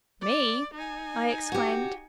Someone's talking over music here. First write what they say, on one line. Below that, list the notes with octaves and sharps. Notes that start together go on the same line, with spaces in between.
"Me!" I exclaimed.
D5
D#4 G#5
F#4 G4